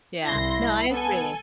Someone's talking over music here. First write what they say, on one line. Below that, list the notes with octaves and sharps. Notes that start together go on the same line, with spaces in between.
Yeah, no, I agree.
C2 E4 C6 A#6
B3 A4 G#5